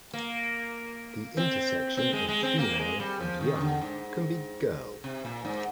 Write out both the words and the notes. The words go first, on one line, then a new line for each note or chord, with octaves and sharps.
The intersection of "female" and "young" can be "girl".
A#3
C4
C4
G#3
G#3
C4
A#3
G#3
G3
F3
D#3
C3
D3
G#2
C3
A#2
G#2